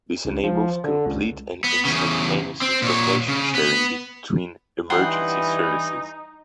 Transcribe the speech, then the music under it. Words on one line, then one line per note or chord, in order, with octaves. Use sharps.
This enables complete and instantaneous information sharing between emergency services.
C#2
F3
D3
C#2
B3
E2 C#3
C4
A#2 C#5
C#3
B3
G2 E3 D#4 F#5 G5 C6